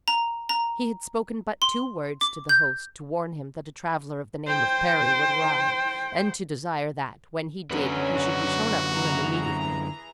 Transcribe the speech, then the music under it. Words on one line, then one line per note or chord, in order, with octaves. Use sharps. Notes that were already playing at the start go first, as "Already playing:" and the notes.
He had spoken but two words to the host, to warn him that a traveler of the name of Parry would arrive, and to desire that, when he did, he should be shown up to him immediately.
A#5
A#5
C6
D6
G6
C5 G5
F#2 D3 F#3 C#4 B4
F#4
E3 G#4 A#5